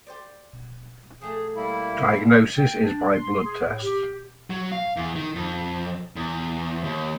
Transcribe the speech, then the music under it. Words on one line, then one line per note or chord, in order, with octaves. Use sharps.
Diagnosis is by blood tests.
G4 C5 D5
F3 A3 G4 G#4
G3 A#3 E4
F#3 C4 D4
G5
D4
C6
G#4
A2
G4
F#3
F5
E2
D#3
F2
E2
D#2